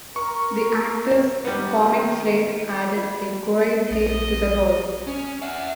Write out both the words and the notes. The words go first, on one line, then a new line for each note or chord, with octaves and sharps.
The actor's 'comic flair added a great deal to the role.
A#4 C#6
D#3 G3 B3
F4 D5
A#1 D#5
C#4
E5 F#5